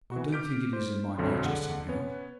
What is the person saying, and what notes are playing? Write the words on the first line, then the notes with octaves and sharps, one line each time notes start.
I don't think it is in my nature somehow.'
E3 F#4
D6 F6 G6 B6 D7
C5
B1 F2 D3 F#3 C6
D3 G#3 F#5
B3 C#4 B4 C#5